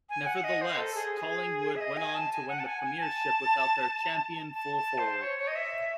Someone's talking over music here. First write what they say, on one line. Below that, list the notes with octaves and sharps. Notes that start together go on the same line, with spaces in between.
Nevertheless, Collingwood went on to win the premiership without their champion full forward.
G#5
F#5
D#5
C5
A4
G#4
G#4
E5
D#5
G#5
A5
G#5
F#5
A5
G#5
G#5
A5
A5
A5
C5
C#5
C#5
D#5
E5